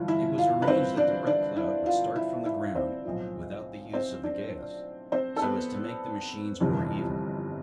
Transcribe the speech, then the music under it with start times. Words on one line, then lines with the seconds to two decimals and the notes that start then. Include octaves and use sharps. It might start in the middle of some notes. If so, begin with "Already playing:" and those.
It was arranged that the Red Cloud would start from the ground, without the use of the gas, so as to make the machines more even.
Already playing: G1 E3 F4
0.08 E4 E5
0.38 F4 F5
0.62 B4
0.67 C4 C5
0.97 D4 D5
1.27 D4 D5
1.56 E4 E5
1.86 F4 F5
2.16 E4 E5
2.46 E4 E5
2.75 C4 C5
3.05 B1 A2 F3
3.94 C4 C5
4.23 D4 D5
5.12 C4 C5
5.36 A4
5.42 B3 B4
6.60 G1 F2 C3 E3